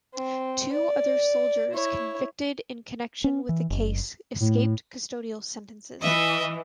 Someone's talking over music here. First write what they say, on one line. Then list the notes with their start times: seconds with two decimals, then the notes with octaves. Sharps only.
Two other soldiers convicted in connection with the case escaped custodial sentences.
0.15 C4
0.72 D5
1.73 E4 C#5
3.24 C#4
3.49 E3
3.70 F#1
4.40 A2
6.02 E3 D#5 E5